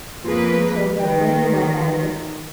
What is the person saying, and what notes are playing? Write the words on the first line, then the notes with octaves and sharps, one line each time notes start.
Matilda, bring me my bonnet.
F2 A#3 F4 G#4 B4
D#3 B4 G5